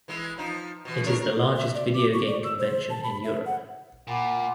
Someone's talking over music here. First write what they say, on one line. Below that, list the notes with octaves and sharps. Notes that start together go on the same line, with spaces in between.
It is the largest video game convention in Europe.
E3 G#3 E4
F3 D#4
B2 E3
D4 A#4 C#5
A#4
E5
D5
D6
C#6
D5
E6
C5
A5
B5
E5
F#5
A#2 F#5 B5 D6